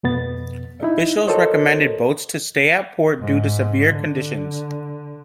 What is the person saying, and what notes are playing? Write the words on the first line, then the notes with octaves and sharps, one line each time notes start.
Officials recommended boats to stay at port due to severe conditions.
F2 B2 B3 A6
D#4 E4
F#4 A4 A#4 C5 C#5 D#5
G#2
D3